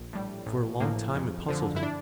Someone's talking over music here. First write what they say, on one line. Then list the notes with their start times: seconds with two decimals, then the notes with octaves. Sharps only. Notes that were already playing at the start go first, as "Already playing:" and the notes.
For a long time it puzzled him.
Already playing: A#1
0.13 A2 G3
0.46 A1
0.80 A2 F3 A#3
1.15 F2
1.48 D3 F3
1.76 E4
1.83 D4